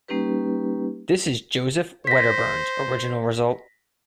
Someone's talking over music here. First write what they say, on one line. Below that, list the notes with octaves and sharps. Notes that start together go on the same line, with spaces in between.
This is Joseph Wedderburn's original result.
G3 A#3 C#4 D#4 G4 B4
C5 A#6 B6